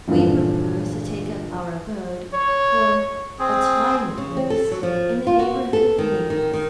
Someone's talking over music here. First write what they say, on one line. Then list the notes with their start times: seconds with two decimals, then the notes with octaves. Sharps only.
We propose to take up our abode, for a time at least, in the neighborhood of Naples.
0.08 E2 G2 A#2 D3 F3
2.33 C#5
3.39 C4 G#4
4.18 C#3
4.37 C4
4.50 A4
4.72 F#3
4.83 F3
5.27 F4
5.39 F#4
5.73 A4
5.98 D#3
6.30 D#3
6.53 D#3